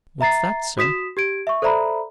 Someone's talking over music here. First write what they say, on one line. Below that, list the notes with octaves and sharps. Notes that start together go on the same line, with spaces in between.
"What's that, sir?"
E5 A#5 A6 C7
F#4 D#6 B6 E7
G4 G#6 D7
E5 C#6
A4 C5 D5 E5 A#5 B5